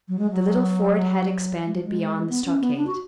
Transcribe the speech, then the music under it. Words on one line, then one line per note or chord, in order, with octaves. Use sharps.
The little fort had expanded beyond the stockade.
F#3
G#3
F#3
G#3
F#3
G#3
B3
C#4
B3
D4
F#4